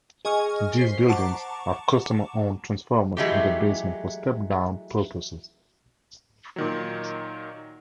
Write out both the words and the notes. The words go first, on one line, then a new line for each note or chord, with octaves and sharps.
These buildings have customer-owned transformers in the basement for step-down purposes.
G#4 D#5 G#5 C#6 F6
C5 B6 C7
F#5 A5 A#5 C#6 D6
E3 F#3 G#3 A3 G4
A#2 D#3 F#3